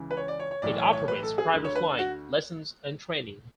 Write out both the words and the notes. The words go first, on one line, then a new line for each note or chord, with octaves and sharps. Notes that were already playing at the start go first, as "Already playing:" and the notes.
It operates private flying, lessons and training.
Already playing: C#2 C#3 E3
B4
C#5
D5
C#5
C#5
B1 A2 E3 D5
C#5
C#5
B4
A4
G#4
D2 D3
C#5
B4
F#4